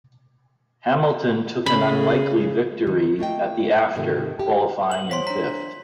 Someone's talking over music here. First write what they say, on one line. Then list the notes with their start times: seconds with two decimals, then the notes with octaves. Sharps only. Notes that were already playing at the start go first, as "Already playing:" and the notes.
Hamilton took an unlikely victory at the after qualifying in fifth.
1.66 C#3 G#4 B5
2.87 D#3
3.19 A3 A#3 D#5 G5
3.96 G#2 C3 D#3 A3 A#3 G4
4.39 G4
4.92 F#7
5.11 C5 C#5 C6 B6
5.27 D4 C5 A#5 B6